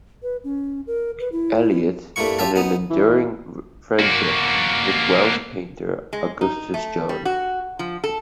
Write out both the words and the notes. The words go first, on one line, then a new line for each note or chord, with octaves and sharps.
Eliot, and an enduring friendship with Welsh painter Augustus John.
B4
C#4
A#4
B4
E4
G2 A3 A#3 E4 C#6
F4 G4 E5 F5 A5
B3 D#4
E3
A#3 F#4
G#3
D#4
A3
G3
F#4
F3
A4